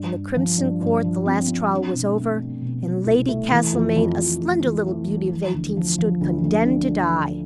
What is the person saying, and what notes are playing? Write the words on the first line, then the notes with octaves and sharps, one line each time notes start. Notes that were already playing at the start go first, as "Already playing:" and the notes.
In the crimson court the last trial was over, and Lady Castlemaine, a slender little beauty of eighteen stood condemned to die.
Already playing: G2
G2
F3
G2
G2
F3
C4
C4
D4
B2
A3
D4
B2
B2
C2
A3
E3
F2
F2
F2
A3
E3
A3
E3
F3
D2
F3
F3
D2
D2
D3